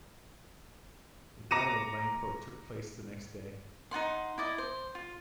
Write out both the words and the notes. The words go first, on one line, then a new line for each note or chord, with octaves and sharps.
The battle of Langport took place the next day.
A#5 D6 A#6 C#7 D#7 E7
D#4 F4 F#5 C6
E4 D5 D#5
C5
F4